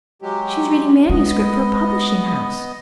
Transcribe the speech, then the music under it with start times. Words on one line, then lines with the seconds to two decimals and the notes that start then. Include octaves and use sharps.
She is reading manuscript for a publishing house.
0.22 F#3 G#3 G4
1.10 G#3 B3 D#5